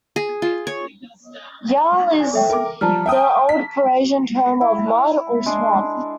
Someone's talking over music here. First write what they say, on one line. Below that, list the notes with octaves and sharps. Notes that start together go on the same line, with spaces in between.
'Ylow' is the Old Prussian term for 'mud' or 'swamp'.
G#4
F4
C#5
G#5
A4 E5 G5
A#4 D6
F3 G3 A5 A#5 F6
E5 G5 D#6
B6
E4
G#3 D4